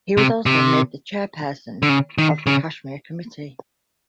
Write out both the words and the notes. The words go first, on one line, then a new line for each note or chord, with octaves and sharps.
He was also made the chairperson of the Kashmir Committee.
C3
C3
D3
C#3
D#3
C#3